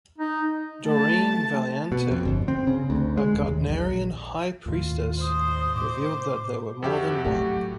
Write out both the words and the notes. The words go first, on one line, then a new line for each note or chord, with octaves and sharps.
Doreen Valiente, a Gardnerian High Priestess, revealed that there were more than one.
D#4
A3 A5
B2
F2
G1
C4
C#3
D2
G#3
D#1
D#2
A#1
D#2 A2 D#3 F4
C5 D#6
A2 D6
F2 F#4 G4 E5
A2 F#3 A3 G4